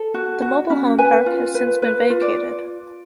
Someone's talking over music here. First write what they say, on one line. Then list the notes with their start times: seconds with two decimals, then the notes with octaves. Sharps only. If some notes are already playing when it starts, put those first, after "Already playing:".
The mobile home park has since been vacated.
Already playing: A4
0.14 F#4
0.42 F#4
0.70 C#4
0.98 B4 G#5
1.26 F4
1.55 B4
1.82 B4
2.10 F4
2.21 D5